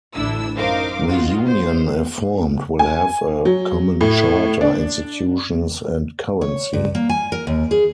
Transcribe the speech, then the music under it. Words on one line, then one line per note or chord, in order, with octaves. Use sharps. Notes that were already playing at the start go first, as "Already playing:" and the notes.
The union, if formed, will have a common charter, institutions and currency.
A1 D2 D4 E4 E6
F#2 D#4 A#4 C5 F5 D6
D#4 F4 F#4
C5
G#5
F#3
A2
D4
C#5
G2
A#3
G#5
A#4
D#2
G#4